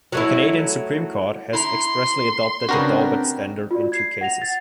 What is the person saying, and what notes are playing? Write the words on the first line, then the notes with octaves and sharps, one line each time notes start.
The Canadian Supreme Court has expressly adopted the Daubert standard in two cases.
F#3 A3 E4
E4 A#5 C6
C#3 C4 D4 F#4 G4 A#4 B4
F4 F#4 D5
G#6 C7
F#5 A#6 F7
A6